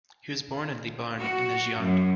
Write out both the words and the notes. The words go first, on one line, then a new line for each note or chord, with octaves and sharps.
He was born in Libourne in the Gironde.
F#4
F#2